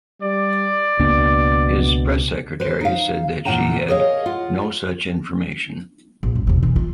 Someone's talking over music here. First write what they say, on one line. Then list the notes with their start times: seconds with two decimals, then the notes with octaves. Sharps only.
His press secretary said that she had "no such information".
0.22 G3 D5
0.99 C#2 B2 A#3 D4
2.60 B4 C5
2.81 D#4 F5
3.45 E2 A#2 E4 F#5 G5 A#5
3.88 G#4 A#4 C#5 D#5 F5
4.26 F4 F#5
6.23 A#1
6.36 F#2
6.47 E2 C3
6.63 D#3 E3
6.76 F4